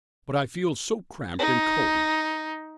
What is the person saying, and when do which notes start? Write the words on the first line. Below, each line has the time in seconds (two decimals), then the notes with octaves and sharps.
"But I feel so cramped and cold."
1.39 D#4